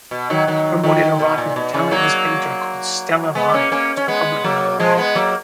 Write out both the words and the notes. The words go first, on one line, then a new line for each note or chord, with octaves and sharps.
He promoted a rotten, talentless painter called Stella Vine to public notoriety.
B2
D#3 F#3
D#3 F#3
D#3 F#3
B2
A#2
B2
C#3
F#3 A#3
G#3 B3
A#3 C#4
A#3 C#4
C#4
G#3 B3
F#3 A#3
F3 G#3
G#3 B3
F#3 A#3